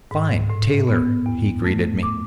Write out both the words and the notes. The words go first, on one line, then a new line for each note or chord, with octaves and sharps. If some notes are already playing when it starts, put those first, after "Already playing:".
"Fine, Taylor!" he greeted me.
G#2
A2
B3
E2
A3
D6